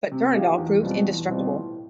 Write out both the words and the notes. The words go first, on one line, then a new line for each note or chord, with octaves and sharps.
But Durendal proved indestructible.
C3
F3 A#3 D#4 G4
E2
B2 G3 C4 F4
E2
B2 G3 C4 F4
A2